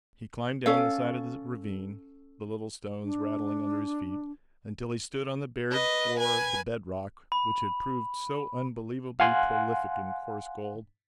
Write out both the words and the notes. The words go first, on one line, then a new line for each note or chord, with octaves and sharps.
He climbed down the side of the ravine, the little stones rattling under his feet, until he stood on the bared floor of the bed rock which had proved so unbelievably prolific in coarse gold.
C#4 A4 F5
D4
B4 D#5
B4 G#5
B5
F5 F#5 G#5 C6 F#6